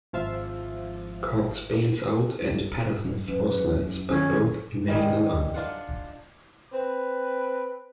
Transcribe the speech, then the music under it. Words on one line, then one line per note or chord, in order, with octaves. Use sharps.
Cox bales out and Patterson force-lands but both remain alive.
G#1 F3 F4 E5
F#2 B4
D#3 C#4
D#3 G3 G#4
D4 F4 F#5
C4 B4